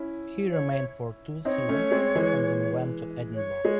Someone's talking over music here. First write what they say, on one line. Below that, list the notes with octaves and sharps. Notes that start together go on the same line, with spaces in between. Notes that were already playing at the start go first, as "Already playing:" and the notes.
He remained for two seasons and then went to Edinburgh.
Already playing: C#4 E4
C#5
C4 D#4 C#5
A3 C#4
G#3 C4
E3 G#3
C#5
G#3